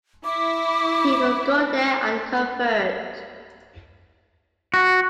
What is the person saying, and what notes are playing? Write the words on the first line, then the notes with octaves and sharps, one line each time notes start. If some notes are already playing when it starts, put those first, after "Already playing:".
People go there and convert.
E4 D6
F#4